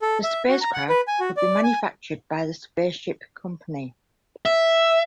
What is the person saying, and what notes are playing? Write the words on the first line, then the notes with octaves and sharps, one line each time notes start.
The spacecraft would be manufactured by The Spaceship Company.
A4
E5
F#4
A#5
F#5
B4
G#5
F#4
D5
G#5
E5